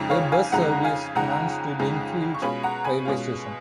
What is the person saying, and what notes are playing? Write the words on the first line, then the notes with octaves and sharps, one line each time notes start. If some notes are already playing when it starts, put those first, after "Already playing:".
A bus service runs to Lindfield railway station.
Already playing: F2 C#3 G#3 D#4
C#5 F5
F5 G#5
F2 C#3 G#3 D#4 F#5 A#5
F5 G#5
F2 C#3 G#3 D#4 F#5 A#5
F2 C#3 G#3 D#4
C#6
B2 G#3 C#4 F4 G#5 B5
F#5 A#5
G#5 B5
B2 G#3 C#4 F4